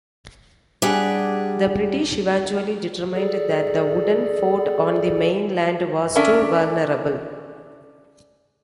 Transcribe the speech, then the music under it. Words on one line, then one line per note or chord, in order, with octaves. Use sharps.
The British eventually determined that the wooden fort on the mainland was too vulnerable.
G3 D4 G4 G#4 F#5
G#4 A4 D5
C#4 D4 A4 A#4 E5